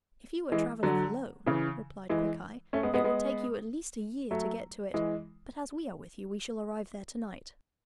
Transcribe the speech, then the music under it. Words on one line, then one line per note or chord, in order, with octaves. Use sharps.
'If you were travelling alone,' replied Quickeye, 'it would take you at least a year to get to it; but as we are with you, we shall arrive there to-night.
E3 G#3
D3 F#3
C#3 E3
E3 G#3
A3 C#4
G#3 B3
G#3 B3
G#3 B3
F#3 A3
E3 G#3